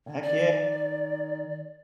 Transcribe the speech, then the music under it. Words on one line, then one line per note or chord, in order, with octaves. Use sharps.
heck ye
D#3 D5